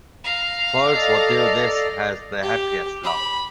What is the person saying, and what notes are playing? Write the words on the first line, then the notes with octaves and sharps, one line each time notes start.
Folks what do this has the happiest lot.
F5 A#5
A4 D5 D#5
G4
B5